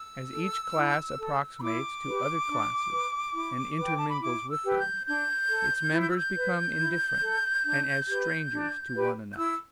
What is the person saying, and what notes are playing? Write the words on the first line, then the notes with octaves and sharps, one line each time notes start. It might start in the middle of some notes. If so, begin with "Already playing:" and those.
As each class approximates to other classes, and intermingles with them, its members become indifferent and as strangers to one another.
Already playing: E6
A4
E4
A4
B5
E4 D6
G4 B4
D4
B4
E4
B4
G5
A5
B5
E4 D6
E6
G4 B4
E6
G6
D4 G6
A4
E4
G6
E6
G6
B4
E4
A4
D4
G4 B4
D4
G4 B4
G6
E4 E6